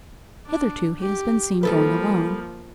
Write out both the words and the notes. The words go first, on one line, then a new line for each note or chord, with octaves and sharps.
Hitherto he has been seen going alone.
D4
G4
F3 G3 A#3 A4 B4